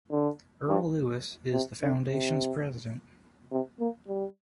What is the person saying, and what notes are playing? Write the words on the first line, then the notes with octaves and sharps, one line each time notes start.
Earl Lewis is the Foundation's president.
D3
G2
C3
D3
C3
C3
A#3
G3